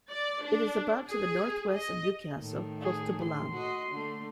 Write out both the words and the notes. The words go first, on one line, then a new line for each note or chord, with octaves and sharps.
It is about to the north-west of Newcastle, close to Bolam.
D5
D4
G#4
D#5
A2 D#3
G#4
C6
F#4 D#5
D3 A3